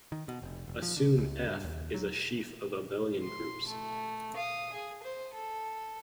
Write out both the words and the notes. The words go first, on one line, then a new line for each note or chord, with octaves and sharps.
Assume "F" is a sheaf of abelian groups.
D#3
B2
F1
E1
F3
D3
C#2
G2
D#2
F#3
C6
A3
F5 D#6
G#4
C5
A4